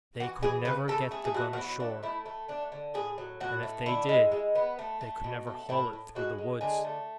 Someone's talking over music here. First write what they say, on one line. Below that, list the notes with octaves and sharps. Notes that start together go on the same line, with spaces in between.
"They could never get the gun ashore, and if they did, they could never haul it through the woods."
E3 F#4
E3 G#4
C#3 B4
C#3 A4
A3 G#4
G#4
B2 F#4
F#4
F#3 E4
A3 D4
A3 E4
A3
A3 D4
D3
A2 G#4
F#3
A2 F#4
A3
D3 E4
G#3
G#3
B3
A3
A3
B2
A3
A2 E4
A2
G#3 F#4
G#3
D3 G#4
A3